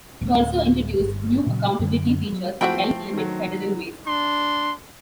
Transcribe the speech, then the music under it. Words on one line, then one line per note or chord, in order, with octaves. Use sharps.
It also introduced new accountability features to help limit federal waste.
D1 A3
G1
A#2 C#3 F#3
F#2 D3
F#3
E3 F3 A3 C4 F#4 G5 B5
D#3 F#3
D4 C6